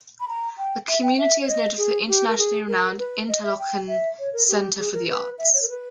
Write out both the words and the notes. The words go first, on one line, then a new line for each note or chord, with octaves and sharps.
The community is noted for the internationally renowned Interlochen Center for the Arts.
B5
A#5
G5
E5
G5
E5
C#5
D#5
G#4
G4
A#4
G#4
A#4
B4
D#5
E5
G5
E5
C#5
A#4
G4
G#4
A#4
B4
E5
C#5
A#4
B4